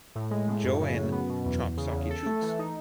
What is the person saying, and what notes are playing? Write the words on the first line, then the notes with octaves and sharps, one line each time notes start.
Joe in "Chop Socky Chooks".
A2
G#3
A2
F#2
C#3
F#2
B3
B2
E2
E2
C#3
E2
A4
A3
E3
D#4